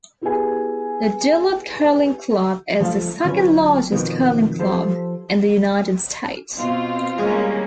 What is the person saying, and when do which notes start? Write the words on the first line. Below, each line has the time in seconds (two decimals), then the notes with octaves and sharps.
The Duluth Curling Club is the second largest curling club in the United States.
0.21 B3 E4 G4 G#4 B4 G#5
2.80 F3 A3 F4 A4 F5
3.25 D3 F#3 C#4 F4 B4 C#5
3.92 F2 B2 D#3 F3 B3
4.59 F3 G4 A4 C5
6.56 B2 C4 F4
7.18 G3 G#3 A#3 C#4